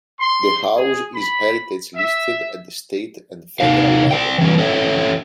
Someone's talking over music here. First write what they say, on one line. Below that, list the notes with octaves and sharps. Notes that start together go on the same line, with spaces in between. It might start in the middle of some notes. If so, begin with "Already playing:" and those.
The house is heritage-listed at the state and federal level.
C6
G#4
B5
E5
C3 D#4 A#4 F5
C5 D5 G5
E3 G3 C#4 B4
C#4 A4 C#5 D#5 E5